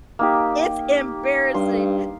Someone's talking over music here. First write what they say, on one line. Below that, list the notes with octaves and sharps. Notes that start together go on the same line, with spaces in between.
It's embarrassing,
A#3 D#4 G4
G2 C6